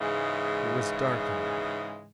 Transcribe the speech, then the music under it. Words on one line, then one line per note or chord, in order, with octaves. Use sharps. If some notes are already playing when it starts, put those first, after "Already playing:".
It was dark in there.
G#2 C#3 E3 G#3